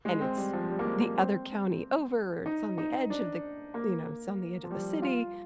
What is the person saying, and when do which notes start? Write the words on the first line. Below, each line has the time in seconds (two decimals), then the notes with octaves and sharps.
and it's the other county over. It's on the edge of the you know, it's on the edge of the city."
0.05 G#3
0.21 C4
0.37 G3
0.53 F3
0.70 G3
0.79 A#3
0.85 G#3
1.01 A#3
1.17 C4
2.46 D#4
2.78 D#4
3.10 D4
3.74 A#3
4.64 F3
4.71 G3
5.02 F4